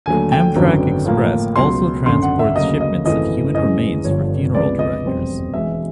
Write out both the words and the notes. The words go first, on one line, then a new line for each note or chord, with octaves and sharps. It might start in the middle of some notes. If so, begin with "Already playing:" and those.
Amtrak Express also transports shipments of human remains for funeral directors.
D#2 D3 F#3 A3 G#5
G5
G#1 F#2 D3 F#3 B3
A2 F3 A#3
C#2 B2 F#3 C6
G#1 F#2 D3 C6
F#5
E5
D2 C#3 F#3 A#3 D#5
D#5
G#1 F#2 C#3 E3 A3 D#5
F#2 C#3 E3 G#3 D#5
G1 G2 D3 F3 C#5
C#2 C3 F3 G#3 B3 D5
D#5
F1 E2 B2 G3 C4
E1 E2 B2 G#3 E5